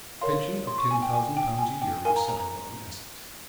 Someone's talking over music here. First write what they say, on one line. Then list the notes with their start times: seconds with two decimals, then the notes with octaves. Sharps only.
A pension of ten thousand pounds a year was settled on Essex.
0.21 A#4 C#5 F5 C6
0.67 C6
0.78 C#6
0.91 G#5
1.02 G5
1.13 G#5
1.37 G5
1.59 G#5
1.82 G5
2.05 A#4 F5 G#5
2.16 A#5
2.28 A#5
2.40 A#5